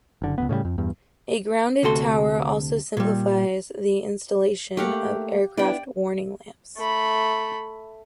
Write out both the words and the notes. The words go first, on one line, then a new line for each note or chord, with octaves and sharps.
A grounded tower also simplifies the installation of aircraft warning lamps.
F#1 D3
C#2 F#2 B3
A2 C#3 E3 G3
F2
E2 G2
D2 C3 F#4 A4 C6
A#2 G3
A3 A#3 G4 F5 F#5
B3 D4 E4 D5 G5
A3 B5